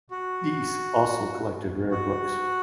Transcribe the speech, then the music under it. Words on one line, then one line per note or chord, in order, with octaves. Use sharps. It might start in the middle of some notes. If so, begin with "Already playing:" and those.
Deese also collected rare books.
F#4
F#4